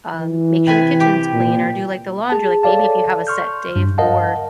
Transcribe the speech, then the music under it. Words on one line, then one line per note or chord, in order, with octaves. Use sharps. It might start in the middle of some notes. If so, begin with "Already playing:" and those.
um, make sure the kitchen's clean or do, like, the laundry. Like, maybe if you have a set day for
E3
C3 B4 G#5
G4
A#2
G#4 A5
A4 C#5 D5 F5 A5
C6 C#6 F6 G6
G2
A#4 D#5 F5 F#5 A5